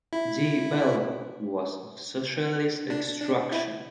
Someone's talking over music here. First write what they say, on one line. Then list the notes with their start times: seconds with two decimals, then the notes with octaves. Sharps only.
Di Bello was of socialist extraction.
0.13 E4
2.90 D4
3.21 D4
3.52 E4